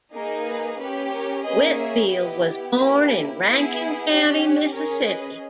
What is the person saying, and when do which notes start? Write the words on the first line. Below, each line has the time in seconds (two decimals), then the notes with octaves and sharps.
Whitfield was born in Rankin County, Mississippi.
0.14 A#3 D#4 G#4 A#4
0.47 B4
0.80 C#4 G4 B4
1.12 A#4 C#5
1.45 A#3 C#4 G#4 B4 D#5
1.79 C#5 E5
2.11 B3 E4 G4 B4 D#5
2.77 A#3 E4 G4 B4
3.44 B3 E4 G#4
4.10 C#4 G4
4.75 C#4 G#4 A#4 C#5
5.08 B4 D#5